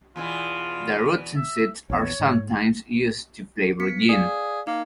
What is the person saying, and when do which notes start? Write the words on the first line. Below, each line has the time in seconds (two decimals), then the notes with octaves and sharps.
The roots and seeds are sometimes used to flavor gin.
0.16 E2 B2 E3 F4
1.36 E5
1.90 A#1 E2 B3 C#5
2.20 G#2
3.80 B3 B6 C#7
4.09 G#4 D5 F5
4.67 A#3 D#4